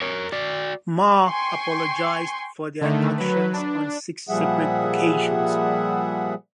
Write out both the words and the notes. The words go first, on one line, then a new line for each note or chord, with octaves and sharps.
Ma apologized for their actions on six separate occasions.
A#4 C#5
F#4 D5
G5 G#5 C6 C#6
D3 D#3 A3
F#3 B4
D4
A#2 F3 G3 G#4 E5 F#5